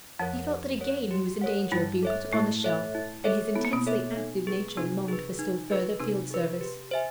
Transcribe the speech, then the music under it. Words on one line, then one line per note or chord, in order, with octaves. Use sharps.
He felt that again he was in danger of being put upon the shelf, and his intensely active nature longed for still further field service.
F2 F3 A#4 C#5 F#5
G4
A#4 C#5 F#5
G4
A#4 C#5 F#5
G2 G3 E4
A4 C#5 E5
A2 A3 E4
A4 C#5 E5
E4
A4 C#5 E5
B3 E4
A#3
B2 B3
A4 C#5 E5
D#4
G#4 B4
C3 C4 D#4
G#4 B4
D#4
G#4 B4
C3 C4 D#4
G#4 B4
G4
C5 E5 G#5